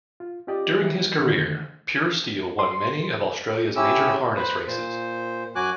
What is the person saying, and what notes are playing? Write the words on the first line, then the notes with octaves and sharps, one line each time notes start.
During his career, Pure Steel won many of Australia's major harness races.
F4
C#4 F4 G4 D5 D#5
E3 G3 A#3
D3 D#3 A3
C6
C#4 E4 G4 E6
B4 C5
A#2 C5
F#2 F#3 F#4 G#5 D6 F#6